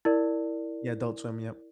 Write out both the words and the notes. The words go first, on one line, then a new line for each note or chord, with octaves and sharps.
Yeah, Adult Swim, yep.
E4 A#4 D5